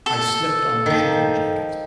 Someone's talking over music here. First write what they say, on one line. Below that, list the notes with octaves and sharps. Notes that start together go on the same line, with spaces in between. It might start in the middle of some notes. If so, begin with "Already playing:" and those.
I slipped on my shooting jacket.
A4
D#3 F3